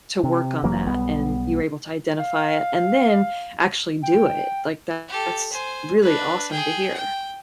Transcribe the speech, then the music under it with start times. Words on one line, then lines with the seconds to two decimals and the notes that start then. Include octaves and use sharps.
to work on that, and you were able to identify it and then actually do it. Like, that's really awesome to hear.
0.24 C3
0.63 F1 E3 F#3 A#3
0.86 B1 G3 B3
2.19 F5
4.03 G5
5.09 G4 A4
5.52 C5 G#5
6.01 D4 B4
6.51 G#4 G5
6.93 G5